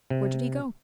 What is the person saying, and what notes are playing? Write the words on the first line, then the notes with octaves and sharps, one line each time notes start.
Where did he go?
C3